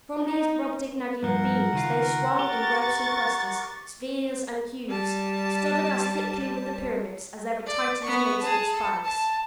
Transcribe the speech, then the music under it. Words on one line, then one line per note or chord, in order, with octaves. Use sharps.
From these Brobdignagian beams they swung in ropes and clusters--spheres and cubes studded as thickly with the pyramids as ever Titan's mace with spikes.
D#4
G2 F3 A#4 F#5
C#2 D#3 F4
G4 C#6 A6
G3 A5
D5
B3 C#6
G#4 A5
A4
A5